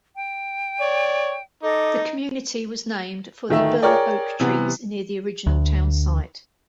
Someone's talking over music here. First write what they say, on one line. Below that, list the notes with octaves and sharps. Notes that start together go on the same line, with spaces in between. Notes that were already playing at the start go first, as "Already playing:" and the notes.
The community was named for the burr oak trees near the original town site.
G5
C#5 D5
D#4 A4 D#5 D6
D1 D#3 A3 E5
G#4 A#4 C#5 D5 G5
C3 E3 B3
D2